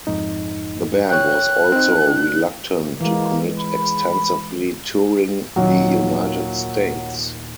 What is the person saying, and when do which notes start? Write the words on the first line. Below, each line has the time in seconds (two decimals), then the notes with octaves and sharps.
The band was also reluctant to commit extensively touring the United States.
0.07 F2 G#2 D#4
1.10 C#5 G5 F#6
1.72 C4 D#4
2.07 D4
3.01 E3 G#3 A#3
3.60 B5
5.56 D#2 A#2 F#3 A#3